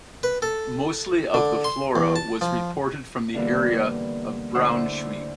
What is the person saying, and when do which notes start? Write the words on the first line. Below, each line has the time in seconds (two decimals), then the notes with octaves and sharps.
Mostly of the flora was reported from the area of Braunschweig.
0.23 B4
0.42 A4
1.34 D3
1.64 C6
1.96 E2
2.16 A5
2.41 F3
3.34 B2 D3 E3 G3 A#3
4.54 D2 D3 E4 C5 F#5 E6